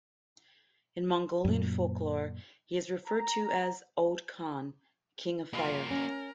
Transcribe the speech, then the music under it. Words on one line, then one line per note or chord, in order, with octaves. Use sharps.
In Mongolian folklore he is referred to as the Od Khan "king of fire".
F#2 A#2
A#5
A#3 F4 F#4
C#4 A#4